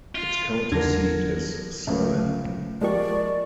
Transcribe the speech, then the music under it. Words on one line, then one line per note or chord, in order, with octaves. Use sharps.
Its county seat is Salem.
F4
E2 D3 A#4 G#6 A#6
C#2 A3
F3 G#3 A#3 G4 D5 C#6